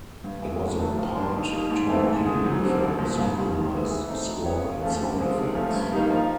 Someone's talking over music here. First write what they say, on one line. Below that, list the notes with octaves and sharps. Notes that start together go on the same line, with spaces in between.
It was a part-talkie with a synchronized score and sound effects.
G2
E3 G#3
A2
F#3 A3 D4
F3
A#3 D4
D#2
D#3 G3 A#3
G#2
E3 A3 C4
G#2
D#3 G#3
F#2
D3 G3 C4
C2
A#2 F3 A#3
C2
C3 D#3 G3
G#2
E3 G#3 B3
E3
A3 C4 D#4
F#3
B3 E4 G#4 C#5
C#3
F3 A3 C#4
D3
F3 G#3 C4
C3
F3 A3 C#4
G2
D#3 G3 A#3 D#4
F3